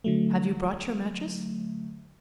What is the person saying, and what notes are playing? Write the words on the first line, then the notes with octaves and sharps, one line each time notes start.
Have you brought your mattress?
D3 F#3 A3